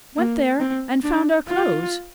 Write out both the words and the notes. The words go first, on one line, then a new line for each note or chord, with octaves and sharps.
Went there and found our clothes.
A#3
C4
D4
F4